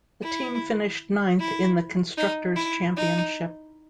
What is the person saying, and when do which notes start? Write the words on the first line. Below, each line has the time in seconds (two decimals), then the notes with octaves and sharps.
The team finished ninth in the Constructors' Championship.
0.22 E4
1.40 E4
2.17 D#4
2.56 E4
2.96 D#4